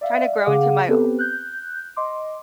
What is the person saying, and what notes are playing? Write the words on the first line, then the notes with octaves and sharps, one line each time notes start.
trying to grow into my o
D5 E5 F5
C#3 G#4 F5 F#5 D6
B3 C4 G4 A4 B4
F#6 G6
D#5 C6 D6